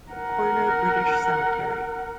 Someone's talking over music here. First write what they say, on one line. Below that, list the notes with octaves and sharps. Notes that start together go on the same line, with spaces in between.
Corner British Cemetery.
A#4 F#5